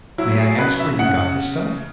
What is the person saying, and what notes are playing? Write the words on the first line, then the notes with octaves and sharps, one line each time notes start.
"May I ask where you got the stuff?"
F#3 E4
G#4
C#3 B4
E5
C#3 F#5